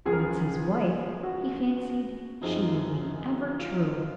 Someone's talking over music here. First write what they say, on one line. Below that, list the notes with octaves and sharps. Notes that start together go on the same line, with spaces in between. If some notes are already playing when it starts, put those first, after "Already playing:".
Once his wife, he fancied she would be ever true.
C#2 C#3 F3 G#4
A#4
G#4
F#4
F#2 F3 C4 D#4 G#4
F4